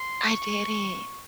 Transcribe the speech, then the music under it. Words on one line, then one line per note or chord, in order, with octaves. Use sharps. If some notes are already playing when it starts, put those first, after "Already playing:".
I didn't.
Already playing: C6
C#6